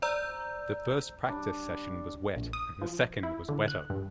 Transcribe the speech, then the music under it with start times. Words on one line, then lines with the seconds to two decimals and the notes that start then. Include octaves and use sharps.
The first practice session was wet, and the second was wetter.
0.02 C5 D5 A#5 E6 G6
1.27 G3 D4
2.36 A#1
2.53 D#6
2.82 F3
3.23 E4
3.49 D3
3.68 F#6
3.90 G2